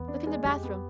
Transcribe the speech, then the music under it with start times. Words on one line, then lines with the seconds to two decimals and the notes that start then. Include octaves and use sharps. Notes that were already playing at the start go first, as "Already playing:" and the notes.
Look in the bathroom!
Already playing: E2 B3
0.08 D4
0.26 G#3
0.45 F2 G4
0.63 B3